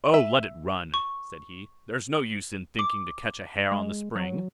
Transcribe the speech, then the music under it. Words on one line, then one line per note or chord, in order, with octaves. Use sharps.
'Oh, let it run', said he; 'there's no use in thinking to catch a hare on the spring.'
E5
C#6
D6
G#3
F#3